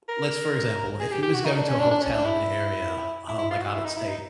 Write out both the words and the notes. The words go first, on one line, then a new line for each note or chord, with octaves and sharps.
Let's for example, if he was going to a hotel in an area, um, like out of state,
A#4
G#4
G4
G4
F#4
D#4
D4
C#4
D4
D4
C#4
D4
E4
E4
E4
F4
F#4
E4
D#4
E4
D#4